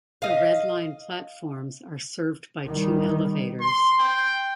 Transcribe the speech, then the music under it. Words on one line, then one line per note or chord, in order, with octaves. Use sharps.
The Red Line platforms are served by two elevators.
D#5 F5
D#3 G3
C6
G5